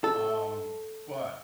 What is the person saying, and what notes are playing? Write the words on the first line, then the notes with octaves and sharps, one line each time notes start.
um, but,
A4